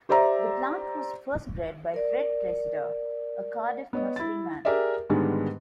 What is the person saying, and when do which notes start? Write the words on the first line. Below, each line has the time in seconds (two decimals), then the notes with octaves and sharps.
The plant was first bred by Fred Treseder, a Cardiff nurseryman.
0.09 G4 C5 D5 E5 A#5
1.94 A#4 D5
3.93 B3 C#5 D#5
4.16 E4 A6
4.65 G4 G#4 A#4 D5 E5
5.10 G#2 D3 D#3 G3 G#3 B3